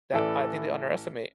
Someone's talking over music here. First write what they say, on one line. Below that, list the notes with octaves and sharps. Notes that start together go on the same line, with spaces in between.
that, I think they underestimate.
A1 E3 A4 D5